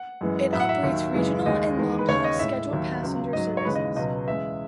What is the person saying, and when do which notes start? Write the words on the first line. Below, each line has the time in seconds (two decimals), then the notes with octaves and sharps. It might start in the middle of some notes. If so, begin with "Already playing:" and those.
It operates regional and long-haul scheduled passenger services.
Already playing: F#5
0.21 F#2 E3 G#3
0.53 A2 F#3 E5
0.60 F#5
0.69 E5
0.83 D#2 D#3 F#3
1.14 F#2 C#3 E3 G#3
1.46 D#2 D#3 G#3 D#5
1.77 E2 D#3 G#3
1.98 B4
2.08 D#2 C#3 G#3 C#5
2.24 D#5
2.39 A2 G#3 E5
2.71 D#2 D#3 F#3
3.03 C#2 C#3 F#3
3.33 G#2 F#3 D#5
3.57 C#5
3.64 D#2 C#3 E3 G#3 B4
3.75 D#5
3.96 C#2 B2 F#3 D#5
4.27 E2 C#3 G#3 E5